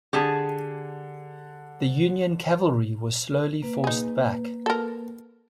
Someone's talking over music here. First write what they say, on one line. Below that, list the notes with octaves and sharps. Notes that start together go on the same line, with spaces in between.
The Union cavalry was slowly forced back.
D3 G4 G#4 A5
A#3 B4
D#4 G#4
A4 A#4